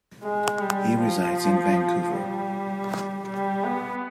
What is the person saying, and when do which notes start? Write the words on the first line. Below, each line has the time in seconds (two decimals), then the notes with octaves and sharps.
He resides in Vancouver.
0.23 G#3
0.61 G3
0.99 F3
2.12 G3
3.26 G3
3.64 B3